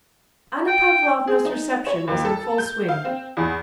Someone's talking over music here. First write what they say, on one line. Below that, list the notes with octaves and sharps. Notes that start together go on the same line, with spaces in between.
Anna Pavlovna's reception was in full swing.
G5
G#4
D#4
C#5
D#2
A4
G6
F5
C4
E2